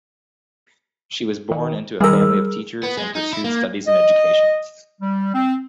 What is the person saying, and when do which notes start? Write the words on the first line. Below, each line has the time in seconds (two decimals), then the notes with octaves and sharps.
She was born into a family of teachers and pursued studies in education.
2.01 G3 G#4 A#4 E6
2.83 B3
2.97 G#3
3.15 D#4
3.33 E4
3.44 A#3
3.87 D#5
5.01 G3
5.34 C4